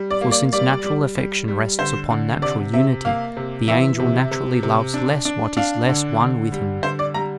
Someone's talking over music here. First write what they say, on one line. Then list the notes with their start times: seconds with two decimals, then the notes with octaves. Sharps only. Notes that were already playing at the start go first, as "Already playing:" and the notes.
For since natural affection rests upon natural unity, the angel naturally loves less what is less one with him.
Already playing: G3
0.11 D5
0.21 A#3
0.31 D5
0.53 G3 D5
0.84 G3
1.16 G3
1.48 G3
1.79 D3 C5
2.10 D3
2.42 C3 D5
2.74 C3 E5
3.05 A#3 F5
3.37 C3
3.68 E3 E5
3.99 C3
4.31 C3
4.63 C3
4.94 D4
5.25 D4
5.57 D4 F5
5.89 D3
6.20 D3
6.52 G3
6.83 D3 C5
6.99 D5
7.14 G3 A#5